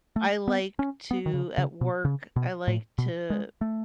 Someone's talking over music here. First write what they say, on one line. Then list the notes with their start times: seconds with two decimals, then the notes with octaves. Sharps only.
I like to, at work, I like to
0.16 A3
0.48 B3
0.79 C#4
1.11 B3
1.26 D#3
1.34 C#3
1.58 C#3
1.81 B2
2.05 C#3
2.36 B2
2.67 A2
2.98 B2
3.30 G#3
3.61 A3